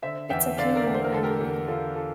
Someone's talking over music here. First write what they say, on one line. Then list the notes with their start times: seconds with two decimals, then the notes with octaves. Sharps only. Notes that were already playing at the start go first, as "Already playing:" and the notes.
It's a canine animal.
0.02 D3 C5 E5
0.30 E2 E5 G5
0.58 D3 D5 F5
0.76 A#4 D5
0.86 E2
0.94 C5
1.04 A#4
1.12 D3 A4
1.23 G4 A#4
1.41 E2
1.68 D3 F4 A4
1.95 F4 A4